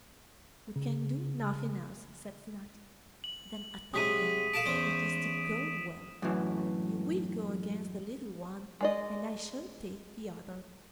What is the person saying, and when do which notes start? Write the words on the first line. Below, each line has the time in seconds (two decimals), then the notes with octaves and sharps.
'We can do nothing else,' said Snati, 'than attack them, if it is to go well; you will go against the little one, and I shall take the other.'
0.76 C#3
3.24 F#7
3.94 C3 F#3 G#3 D#6 B6 D#7
4.54 A4 F5 A5 D7 E7
4.66 E2 C#4 C5
6.22 F#2 A2 E3
8.81 G#3 D5 D#5